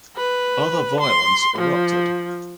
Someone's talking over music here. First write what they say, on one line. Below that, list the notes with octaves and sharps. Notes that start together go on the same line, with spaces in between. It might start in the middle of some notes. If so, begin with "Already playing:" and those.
Other violence erupted.
B4
C6
F3